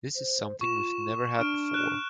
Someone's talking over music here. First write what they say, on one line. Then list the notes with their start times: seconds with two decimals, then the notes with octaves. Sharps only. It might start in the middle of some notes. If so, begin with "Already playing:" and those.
This is something we've never had before.
0.16 C5
0.61 F4 C#6 E7
1.39 D4 F6 D7
1.74 F#6 E7